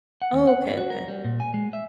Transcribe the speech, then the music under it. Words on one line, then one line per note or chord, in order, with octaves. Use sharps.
Oh, okay, okay.
F#5
D#2
F#5
B3
F#4
A#4
G3
A#2
G#5
G#3
E5